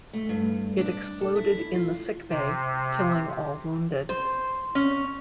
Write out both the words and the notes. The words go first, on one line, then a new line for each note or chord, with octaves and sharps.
It exploded in the sick bay, killing all wounded.
A3
G2
D4
A4
E4
F4
C3
C5
C#4